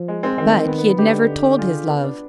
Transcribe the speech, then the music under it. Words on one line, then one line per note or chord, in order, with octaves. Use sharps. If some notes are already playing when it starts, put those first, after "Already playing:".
But he had never told his love.
Already playing: F3
G#3
G#3 C4
D#3 G#3 C4
B3
B3
B3
D3 D#4 G4
F4 G#4
B3
B3 D4